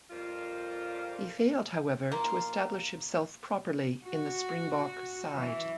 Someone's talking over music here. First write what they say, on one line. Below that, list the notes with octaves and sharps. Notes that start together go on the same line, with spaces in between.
He failed however to establish himself properly in the Springbok side.
F2 G3 F4 A#4 C5
A#3 F4
F#4
E3